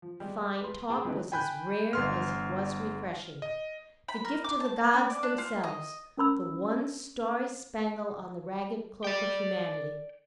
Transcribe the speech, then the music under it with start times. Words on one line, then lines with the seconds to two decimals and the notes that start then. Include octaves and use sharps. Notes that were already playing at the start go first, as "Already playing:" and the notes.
Fine talk was as rare as it was refreshing--the gift of the gods themselves, the one starry spangle on the ragged cloak of humanity.
0.02 F3
0.20 G3 G#3
0.61 B4 C6
0.90 G#4 G5 A5 D6
1.05 D2 E3 C4 C#4 D#4 B4
1.32 G5 G#5 B5 F#6 G6
1.93 G1 C6 F6
3.42 D#5
4.08 B5
4.25 A#4
4.44 D6
4.60 A5
4.93 C#4
5.10 D5
5.23 D4
5.38 F4
5.64 D#5
6.17 C#4 A#4 B5 E6
9.04 D5 G5